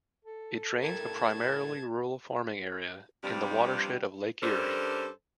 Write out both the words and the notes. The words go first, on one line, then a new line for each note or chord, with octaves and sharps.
It drains a primarily rural farming area in the watershed of Lake Erie.
A4
A2 G3 A#4 A5 G#6
G2 C3 F3 G3
G2 C#4 D4 A4 A#4 C5